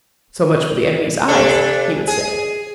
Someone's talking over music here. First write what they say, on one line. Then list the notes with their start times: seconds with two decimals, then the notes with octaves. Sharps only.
So much for the enemy's eyes, he would say.
1.28 C3 D4 A4
2.08 G#4